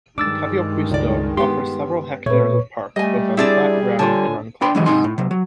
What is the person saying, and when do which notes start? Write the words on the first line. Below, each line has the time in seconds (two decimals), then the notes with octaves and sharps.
Kaivopuisto offers several hectares of parks, both on flat ground, and on cliffs.
0.18 G2 D#3 G#3 D4 D6 E6 A6
0.91 C#2 A4 D5
1.37 B3 G4 C6
2.26 A#2 A3 C4 B4 C#5 C#6
2.96 G3 A3 D#5 G#5
3.37 C4 D4 E4 G#4 D5
3.99 D3 F4 C#5 G#5 A5
4.61 D4 G5 B5 C6
4.75 D#2 D3 E3 F#3 G#3 D#5
4.86 G#2 C3 D#4 D#5 G#5 C6
5.04 A2
5.18 C3 F#3
5.31 F#3